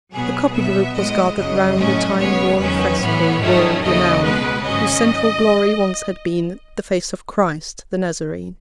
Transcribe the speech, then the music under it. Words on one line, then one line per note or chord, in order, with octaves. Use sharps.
The copyist group was gathered round A time-worn fresco, world-renowned, Whose central glory once had been The face of Christ, the Nazarene.
B2 F#3 B3 G#4
B2 F#3 B3 E5
A2 G#3 B3 D#5
F#2 C#3 F#3 D#5
A2 F#3 A3 C#4
C#2 B2 G#3 B3 C#5
E2 D#3 F#3 C#4 B4
A2 E3 B3 C#5
G#2 D#3 F#3 A3 C#4
D#2 C#3 F#3 A3 D#5
C#2 B2 G#3 B3 B4
G#2 D#3 F#3 C#4 D#5